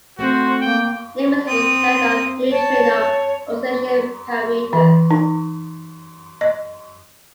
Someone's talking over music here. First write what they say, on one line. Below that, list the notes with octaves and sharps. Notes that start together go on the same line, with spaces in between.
Limits were set on neutrino oscillation parameters.
A3 C4 F#4 C5
A#3 G5
C4 D#6
C#5 A5
E3
D#4
D#5